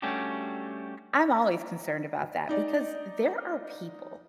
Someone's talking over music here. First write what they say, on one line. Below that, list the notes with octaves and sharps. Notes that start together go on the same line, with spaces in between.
I'm always concerned about that because there are people,
G3 A3 C#4 D4 F#4 G4
D#4 D5 D#5